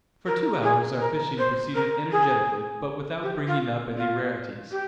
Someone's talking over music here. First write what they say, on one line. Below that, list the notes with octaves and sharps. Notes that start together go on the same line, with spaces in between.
For two hours our fishing proceeded energetically but without bringing up any rarities.
A#4
G#4
A#4
C5
A#4
G#4
G4
F4
F4
G4